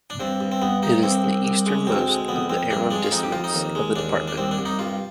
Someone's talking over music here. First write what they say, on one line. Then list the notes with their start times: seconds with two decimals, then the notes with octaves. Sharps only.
It is the easternmost of the arrondissements of the department.
0.10 D4
0.20 G2 C4
0.40 G2
0.52 C4
0.62 G2 B3
0.82 G2 D#4
1.03 C2 C4
1.24 C2
1.45 C2
1.66 G#3
1.87 D2 C4
2.08 G#3
2.28 F2 B3
2.49 F2 C4
2.70 G2 D4
2.91 G#3 D4
3.03 F4
3.11 F2 D#4
3.23 G4
3.32 F2 F4
3.44 D#4
3.54 D#2
3.75 G#3
3.96 D#2 D4
4.16 D#2
4.28 D4
4.37 C2 C4
4.51 D4
4.58 C2
4.65 D#4
4.79 G2 F4